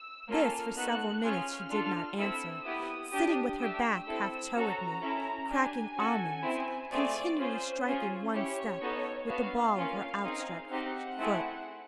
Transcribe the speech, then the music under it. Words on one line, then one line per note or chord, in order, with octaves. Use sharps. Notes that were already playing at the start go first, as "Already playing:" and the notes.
This, for several minutes, she did not answer, sitting with her back half toward me, cracking almonds, continually striking one step with the ball of her outstretched foot.
Already playing: E6
A#3 C#4 F4 A4 F6
B3 D#4 F#4 A4 F#6
C#4 F4 G#4 F6
D4 F4 A4
C4 E4 A4 E6
B3 E4 G4 D#6
D4 G4
A3 D4 G4 E6
C4 E4 A4
C#4 F#4 A4 A#5
C#4 E4 A4
D4 G4 G#5
C#4 F#4 A4
C4 E4 G#4
A3 C4 F4 G#4 D5
C#4 F4 G#4 C5
C#4 F4 G#4
C#4 E4 G4 C#5
B3 D#4 F#4 A4
B3 D4 F#4 F5
A#3 C#4 F4
C4 D#4 G#4
C4 D#4 G4 F#5
A3 C4 E4 G#4